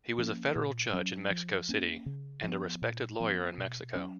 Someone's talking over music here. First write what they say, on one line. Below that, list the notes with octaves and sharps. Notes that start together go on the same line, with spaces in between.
He was a federal judge in Mexico City, and a respected lawyer in Mexico.
F3 A#3 C#4
A#2
F#3 C#4
F3
A#3 C#4
C#3
F3 B3
A#2
F3 B3
B2
F#3 C#4